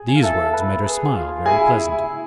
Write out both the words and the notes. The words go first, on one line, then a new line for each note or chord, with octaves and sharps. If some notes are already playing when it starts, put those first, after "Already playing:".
These words made her smile very pleasantly.
Already playing: G#4
G#5
F5
E4 A4 E5
B4
G#4
F4
E4 G#4 G#5
E4